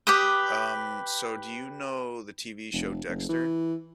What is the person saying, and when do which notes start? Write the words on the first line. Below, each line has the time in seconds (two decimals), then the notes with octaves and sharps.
Um, so do you know the TV show Dexter?
0.07 G4 B4 D#6
2.73 F1
3.09 F#1
3.29 E3